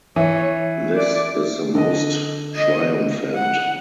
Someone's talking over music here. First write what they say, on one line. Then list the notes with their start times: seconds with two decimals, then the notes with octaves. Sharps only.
This is the most triumphant.
0.16 E3 C#5
0.96 D5
1.75 D3 D#5
2.55 D#5
3.34 F#5